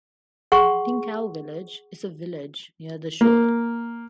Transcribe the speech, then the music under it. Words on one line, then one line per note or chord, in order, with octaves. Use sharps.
Ting Kau Village is a village near the shore.
G#4 F#5 C6 C#6
A#3